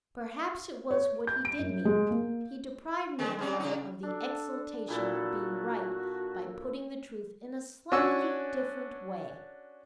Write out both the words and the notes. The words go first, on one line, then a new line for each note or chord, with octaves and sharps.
Perhaps it was what he did mean; he deprived me however of the exultation of being right by putting the truth in a slightly different way.
C#5
G6
D7
F#2
G#3
A#3
D3 G#3 C4
G#2 C4 C#4
C#3 D4 D#4
D4 A4
A#2 E4 F#4 A4
C#4 D4 F#4 G#5 C#6 E6